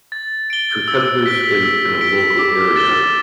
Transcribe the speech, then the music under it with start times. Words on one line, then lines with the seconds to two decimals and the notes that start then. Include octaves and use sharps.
competitors in in a local area,
0.12 A6
0.50 D7 G7
0.88 E6
1.26 B6 D7 G7
1.63 E6
2.01 B6 D7 G7
2.39 D6
2.76 A6 E7 G7